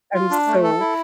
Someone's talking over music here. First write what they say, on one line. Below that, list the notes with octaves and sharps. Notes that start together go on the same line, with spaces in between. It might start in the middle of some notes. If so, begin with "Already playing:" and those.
I'm so
F4
D4
A3
A4
E4